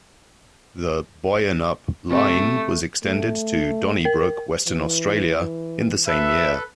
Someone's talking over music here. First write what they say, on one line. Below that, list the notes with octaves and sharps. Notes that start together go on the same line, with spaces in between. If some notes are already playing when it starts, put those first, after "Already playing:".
The Boyanup line was extended to Donnybrook, Western Australia in the same year.
C3 A3
A3
A#4
E3
A4 B4 E5